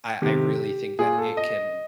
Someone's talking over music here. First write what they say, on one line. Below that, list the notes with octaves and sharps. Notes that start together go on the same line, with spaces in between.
I I really think that it can
C3 D#3 G4
A#2 G#4
A4
D#5